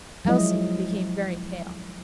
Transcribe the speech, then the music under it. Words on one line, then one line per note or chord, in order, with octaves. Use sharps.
Elsie became very pale.
F3 F#3 G#3 E4 D#5